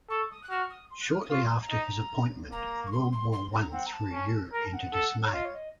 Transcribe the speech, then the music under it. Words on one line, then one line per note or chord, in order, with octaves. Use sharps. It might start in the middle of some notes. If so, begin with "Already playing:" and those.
Shortly after his appointment, World War One threw Europe into dismay.
A4 C#6
D#6
F#6
F#4 F6
D#6
C6
F#6
F6
D#6
F4 C#6
C6
A5
A#5
D#4
A#3 A#5
C#6
C6
C6
C6
A#5
C4 F#5
A#5
A5
C#4
A#4 A#5
A5
F#5
A4
C#5
F4 D#5
C#5
D#5